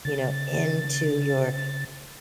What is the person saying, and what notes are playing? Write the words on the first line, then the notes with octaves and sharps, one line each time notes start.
you know, into your
C#3 A6